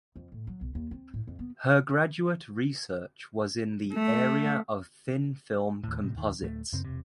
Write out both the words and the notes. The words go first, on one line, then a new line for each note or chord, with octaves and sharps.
Her graduate research was in the area of thin film composites.
F2
A2
F#3
B1
D#2
C4
A2
F2
B3
A3
D#2 A2
A2 C3
D#1 D#3
D1 A3
F#2 C#3 C4
E1 C3